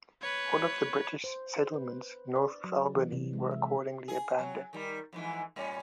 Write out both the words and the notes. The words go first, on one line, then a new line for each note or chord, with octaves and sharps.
All of the British settlements north of Albany were accordingly abandoned.
B4 C#5
C5
B4
D5
F#3
E3
C3
G#3
E5
G#4
F#3
D#3 G3
F2 G#2 E3
A2 G3 C#4